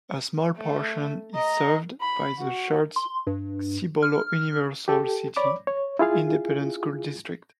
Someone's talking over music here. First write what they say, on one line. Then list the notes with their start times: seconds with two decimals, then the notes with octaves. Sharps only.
A small portion is served by the Schertz-Cibolo-Universal City Independent School District.
0.56 A3
1.36 D#5 A#5
2.01 B5
2.38 F#4
2.96 C6
3.27 G2
4.03 F6
4.88 G4 A4
5.36 C#5 D5 B5 D6
5.67 C#5
5.99 E4 F4 G#4 F5